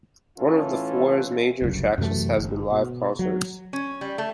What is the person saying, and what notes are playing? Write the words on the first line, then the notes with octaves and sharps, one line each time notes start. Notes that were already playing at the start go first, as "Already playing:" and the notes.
One of the foire's major attractions has been live concerts.
A2 E3 C#4 E4 F4 A4
F#1 C2 F#2
F#2 C3 E3 A3
G1
B2
F#3
C#4
G3
A3